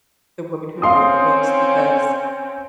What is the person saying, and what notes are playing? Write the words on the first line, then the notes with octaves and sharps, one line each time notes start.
the woman who wrote the books, because
C4 C#4 F5 C6 D#6